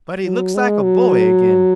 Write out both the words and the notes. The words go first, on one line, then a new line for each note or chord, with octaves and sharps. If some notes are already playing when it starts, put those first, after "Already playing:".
But he looks like a boy again!
F#3
G#3
F#3